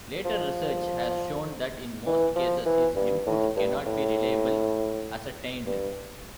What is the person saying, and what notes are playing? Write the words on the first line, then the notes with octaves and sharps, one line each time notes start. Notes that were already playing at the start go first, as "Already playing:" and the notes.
Later research has shown that in most cases his input cannot be reliable ascertained.
F3
E3
F3
E3
G2
A2
G2
A2
G2